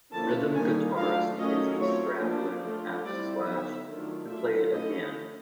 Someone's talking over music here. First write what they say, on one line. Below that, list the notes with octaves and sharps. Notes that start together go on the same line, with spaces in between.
Rhythm guitarist Izzy Stradlin asked Slash to play it again.
D3 F3 A#3 C#4 E4 A5
D#3 G3 A#3 D#4 G#5
F#3 A3 D4 F4 F5
D#3 F#3 A3 C#4 D#5
A3 C4 F4 C#5
F3 A#3 D4
A3 D4 F4
G3 C4 E4 D5
D3 F#3 B3 D#4 E5
D#3 F#3 A3 D4 F4
F#3 A3 D4 F4 E5
A3 C#4 E4 D#5